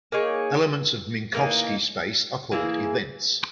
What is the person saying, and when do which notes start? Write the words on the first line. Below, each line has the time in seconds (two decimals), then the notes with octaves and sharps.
Elements of Minkowski space are called events.
0.12 A#3 D#4 G#4 C#5
1.33 E3 A#3 D#4
2.52 E3 A#3 E4 G#4